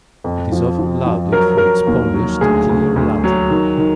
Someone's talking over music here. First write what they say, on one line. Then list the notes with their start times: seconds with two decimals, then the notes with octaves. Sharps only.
It is often lauded for its polished, clear Latin.
0.24 F2
0.52 F3
0.79 F3
1.06 F3
1.32 F#3 A#4
1.58 F#3 A#4
1.87 D#2
2.14 F#3
2.41 D2 G#4
2.69 D2
2.96 D2
3.24 F#3
3.50 D#3
3.77 D#3